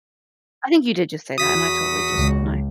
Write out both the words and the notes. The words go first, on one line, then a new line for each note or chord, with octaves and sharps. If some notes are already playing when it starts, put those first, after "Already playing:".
I think you did just say that, and I totally just my
E2 E3 F#4 D#6 B6
C#2